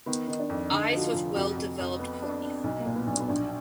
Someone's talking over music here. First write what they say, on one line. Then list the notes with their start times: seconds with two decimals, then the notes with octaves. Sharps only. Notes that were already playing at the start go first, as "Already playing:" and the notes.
Eyes with well developed cornea.
0.06 D#3 B3
0.28 D#3 D#4
0.39 D4
0.50 F2
0.70 D3 D#4
0.92 F3 F#4
1.03 F4
1.14 F1
1.35 F2 F#4
1.57 F2
1.79 F2
1.99 B3
2.22 D4
2.42 D4
2.64 B1 D#4
2.80 A#3
2.86 A#2
2.96 B3
3.07 B1
3.13 D4
3.20 B3
3.28 A#1 D4